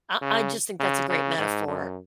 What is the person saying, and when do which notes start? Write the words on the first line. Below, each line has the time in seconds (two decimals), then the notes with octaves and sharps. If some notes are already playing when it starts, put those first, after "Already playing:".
I I just think that's a great metaphor
0.21 C#3
0.80 C#3
1.09 C#3
1.38 G#2
1.68 F#2